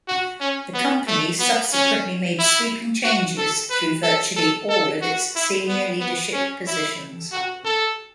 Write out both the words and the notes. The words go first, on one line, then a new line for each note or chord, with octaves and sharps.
The company subsequently made sweeping changes through virtually all of its senior leadership positions.
F#4
C#4
B3
A3
B3
C#4
E4
F#4
A4
B4
A4
A4
A4
F#4
E4
B3
B3
C#4
E4
F#4
A4